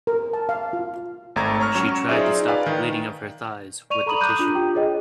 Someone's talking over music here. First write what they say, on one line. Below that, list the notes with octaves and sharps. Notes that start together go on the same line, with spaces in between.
She tried to stop the bleeding of her thighs with a tissue.
A#4
A5
F5
F4
G#1 A3 A#5 G#6
C#5 A#5 C#6 F6
F#3 C#4 C#6 E7
D#4 F4 G#4 C5 D5 E5
B4 D5 F5 G5 G#5
D#3
D5 C#6 D#7 F7
A4 A#5 B5 D#6 D#7 F#7
A#5 D6 D#6 F#6 G6 D#7
D4 F4
F4 G4 G5
G#4 C#5 D#5 G5